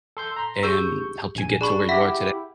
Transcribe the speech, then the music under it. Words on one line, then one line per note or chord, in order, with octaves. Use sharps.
em, helped you get to where you are today
A4 C6 G6
A#5 C6
G4 G#4 C#6 E6 G6
A#1 G#5
D4 G#4 B5 C#6
E4 G4 E5 F#5 B6